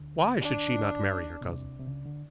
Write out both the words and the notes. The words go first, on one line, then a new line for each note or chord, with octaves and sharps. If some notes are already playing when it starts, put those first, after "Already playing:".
Why should she not marry her cousin?
Already playing: D2 D3
D4
B2
C2 C3
C3
C#2 C#3
D3